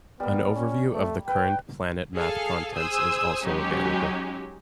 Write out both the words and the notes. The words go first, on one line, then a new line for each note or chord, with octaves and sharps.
An overview of the current PlanetMath contents is also available.
G3 A#3 B3
C#4
A3
B4 G5
G#4 A4 F5
G#4 C5 G#5 D#6 E6
F#3 G#3 C#4 D#4 G4